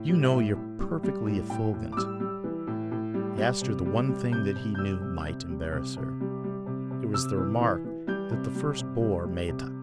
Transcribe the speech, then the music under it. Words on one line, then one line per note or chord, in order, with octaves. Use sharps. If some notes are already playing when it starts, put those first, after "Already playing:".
"You know you're perfectly effulgent." He asked her the one thing that he knew might embarrass her. It was the remark that the first bore made to Adam.
Already playing: A2
G3
E5
A2
A2
G3
G3
A2
A2 G5
A2
D6
G3 E6
G3
E3
A2
A2
G3
G3
C3
G3
G3
C3 G6
C3
G6
G3 E6
C3
C3
G3
C3
C3
G3
G3
C3
C3
C3 E6
E3
E3
E3
G3 G6
C3
G3
C3
G3
G3
C3